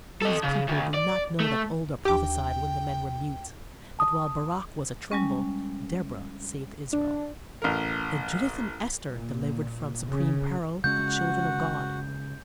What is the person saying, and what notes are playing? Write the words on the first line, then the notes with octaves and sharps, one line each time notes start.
These people do not know that Olda prophesied when the men were mute; that while Barach was atremble, Deborah saved Israel; that Judith and Esther delivered from supreme peril the children of God.
A4 D#5
C#3
D2
D5
A3
D#2 D4 G4 G5 D6
A5 D#6
G3 G#3 C#4
D4
A1 A#4
A#2
C#3
C#3 G#3 C#4 F#4 F#5 G6